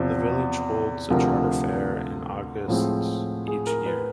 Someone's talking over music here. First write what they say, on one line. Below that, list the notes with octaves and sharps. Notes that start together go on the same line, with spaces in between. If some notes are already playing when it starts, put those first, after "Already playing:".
The village holds a Charter fair in August each year.
Already playing: E2 C3 F3 C5
D2 C3 F3 A#4
A2 F3 G#3 C4
G#4
A#4
B4